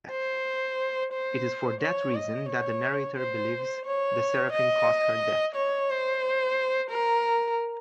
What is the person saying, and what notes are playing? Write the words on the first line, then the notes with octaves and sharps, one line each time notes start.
It is for that reason that the narrator believes the seraphim caused her death.
C5
C5
C#5
D#5
C#5
C5
C#5
D#5
C#5
C5
A#4